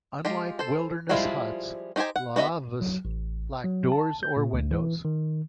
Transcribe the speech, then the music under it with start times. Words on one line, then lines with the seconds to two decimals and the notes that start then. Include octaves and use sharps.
Unlike wilderness huts, laavus lack doors or windows.
0.25 G#3 F4 G4
0.59 A4 C5
1.09 F3 G3 G#3 E4 F4
1.96 C#4 D#4 G4 C5 G#5
2.16 F#5
2.36 B3 F#4 D#5 E5
2.81 F#3
3.05 A1
3.64 F#3
3.92 A5
4.23 G6
4.37 A#2
4.53 D2
4.71 E3
5.05 D#3